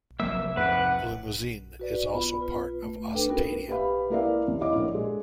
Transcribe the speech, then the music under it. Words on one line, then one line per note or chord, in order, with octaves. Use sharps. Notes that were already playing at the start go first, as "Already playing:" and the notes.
Limousin is also part of Occitania.
F1 F#3 A#3 E5 E6
F2 G#2 C3 B4 F#5
F#4 B4 D5
B3 F4 B5
F4 B4
A3
D4 A4 B4 G5
B3 C#4 D#4 F#4 A#4 B4
G4 B4 E5 F5 B5
A#3 E4 A#4 D5 E5 F5
D#2
E4 C#5 D#5 F5 D6
A#1 A#3
G#3